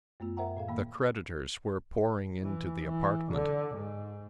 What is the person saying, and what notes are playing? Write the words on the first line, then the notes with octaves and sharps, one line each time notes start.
The creditors were pouring into the apartment.
F#2 A3 B3 F4
A#4 C5 E5 F#5 G5 A#5
A2 A4 F5
D#3 A#3 G5 B5
E3
E3
D3
G#2